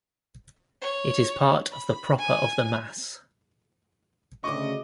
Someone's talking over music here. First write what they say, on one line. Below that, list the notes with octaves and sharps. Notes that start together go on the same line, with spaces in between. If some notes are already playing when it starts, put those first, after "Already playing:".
It is part of the Proper of the Mass.
C#5
B5
G#5
D2 C#3 D#5 C#6 D6